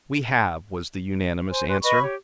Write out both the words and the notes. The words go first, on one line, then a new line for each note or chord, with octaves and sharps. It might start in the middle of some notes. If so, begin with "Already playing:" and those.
"We have," was the unanimous answer.
C5 G#5 C6
G4 B4 G#5 C6
B4 D#5 B5 C#6
G4 C#5